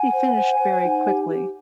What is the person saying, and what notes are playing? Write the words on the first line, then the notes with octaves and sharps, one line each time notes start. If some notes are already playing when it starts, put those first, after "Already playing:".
He finished very quickly.
Already playing: F#5 G#5
C5
C5
C5
D#4
G4
G4